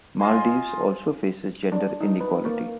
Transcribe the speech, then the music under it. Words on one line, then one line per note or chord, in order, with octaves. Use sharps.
Maldives also faces gender inequality.
F4 D#5 G#5 C6
D4
D#4
B4
A#3